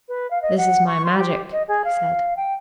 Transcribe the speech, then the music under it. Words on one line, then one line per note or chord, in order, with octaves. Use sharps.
"This is my magic," he said.
B4
F5
D#5
F#5
C#6
C6
G4
D#5
G#4
F5
G5